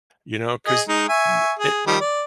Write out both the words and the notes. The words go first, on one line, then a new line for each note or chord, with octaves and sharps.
you know, 'cause n it
G#4 D#5
G#3 D#4
E5 G#5 C#6
G#4
D#3 F3 G3
D5